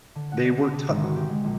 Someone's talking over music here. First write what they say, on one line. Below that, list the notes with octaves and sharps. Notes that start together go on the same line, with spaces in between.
They were, tu
D3
F#5
D5
D4
C3
G#1
F#4
G4
G#3
A#1